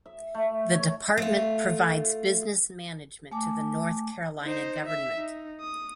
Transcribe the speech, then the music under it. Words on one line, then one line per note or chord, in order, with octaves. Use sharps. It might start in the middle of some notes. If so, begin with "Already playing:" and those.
The department provides business management to the North Carolina government.
E5
A3
C#5
A3 F4
A3 G#5 A5 D6
D#4 C5
E5
D#4
D#6